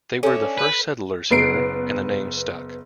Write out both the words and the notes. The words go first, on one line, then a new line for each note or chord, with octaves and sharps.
They were the first settlers here and the name stuck.
C#4 D4 A4 C#5 E5
B4
F#1 B3 C7 D7